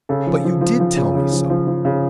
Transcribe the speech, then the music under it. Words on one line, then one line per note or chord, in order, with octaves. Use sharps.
"But you did tell me so."
C#3 A4
F3
F3
F3
F3
C#3
C#3
F3
F3
F3
C#3